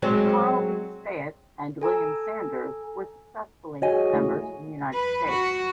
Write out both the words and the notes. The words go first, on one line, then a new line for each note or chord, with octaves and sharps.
Carl B. Spaeth and William Sanders were successively members from the United States.
F#3 G#3 C4
A4 G#5 A#5 E6
F#4 G#4 C#5 D#5 G#5
A3 E4
B4
F#4